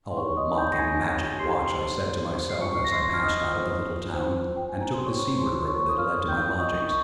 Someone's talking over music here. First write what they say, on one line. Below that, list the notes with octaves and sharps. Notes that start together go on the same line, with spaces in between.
"Oh mocking Magic Watch!" I said to myself, as I passed out of the little town, and took the seaward road that led to my lodgings.
C6
D#4 C#5 C#6
D#5 D#6
D#4
G5 G6
A#6
D#4 G#5 G#6
C#5
G4 C6 C7
C5
C5
C5
C7
F4 C#6 C#7
A#6
F4 C6 C7
F6
F4 D#5 D#6
C5
F4
C5
F4
G5
G#5
C5
A#5
C6
F4 C#5 C#6
F4 C5 C6
A#4 C#5 C#6
D#6
A#4 F5 F6
F4 G5 G6
C#6
A#4 D#5 D#6
C#6